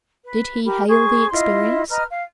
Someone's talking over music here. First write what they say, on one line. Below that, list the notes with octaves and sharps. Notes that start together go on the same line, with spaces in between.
Did he hail the experience?
B4
G4 A#4 B5
G#4 C5 C#6
E4 F4 D#5 C6
B4 D#5 A#5 F6
F5